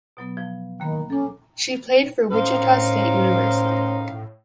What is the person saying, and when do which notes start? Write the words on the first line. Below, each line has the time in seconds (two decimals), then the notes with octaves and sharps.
She played for Wichita State University.
0.17 B2 F#3 B3
0.37 F3
0.80 D#2 D#3 A#3 B5
1.10 C#4 A4 D6
2.31 A2 C#4 D#4 A#4 C5 F5